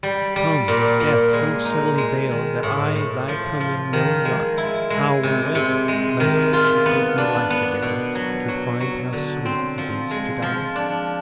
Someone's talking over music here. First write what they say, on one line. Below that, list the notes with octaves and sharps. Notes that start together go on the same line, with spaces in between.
Come Death, so subtly veiled that I Thy coming know not, how or when, Lest it should give me life again To find how sweet it is to die.
G3
G3
A#2
A#2
G#3
D#4
G#3
D#3
A2
A2
F3
F3
D#3
G#3
E4
G#3
C3
C3
G#3
D#3
F4
B3
D4
B3
B2
F#3
F#3
F#3
D3
C4
F3
G#3
F3
D4